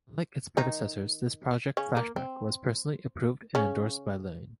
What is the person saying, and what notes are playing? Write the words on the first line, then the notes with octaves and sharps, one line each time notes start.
Unlike its predecessors, this project, "Flashback", was personally approved and endorsed by Lynne.
D#3 D#4
C#3 C#4
A#3
C4
C#3 C#4